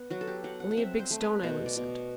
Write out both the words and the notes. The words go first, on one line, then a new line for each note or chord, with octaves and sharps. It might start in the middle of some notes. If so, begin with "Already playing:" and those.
Only a big stone I loosened.
Already playing: B3
F#3 F#4
A4
G4
F#3 F#5
F#5
F#5
C4 E5
C5
A3
B4
B2 C5
D5
B2